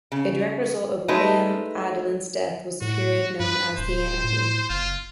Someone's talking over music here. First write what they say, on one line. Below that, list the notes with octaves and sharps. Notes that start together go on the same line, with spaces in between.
A direct result of William Adelin's death was the period known as the Anarchy.
C#3
G#3 A3 D#4 B4
A2 F#4
G2 B4
D1 C5
A2
F#1 F4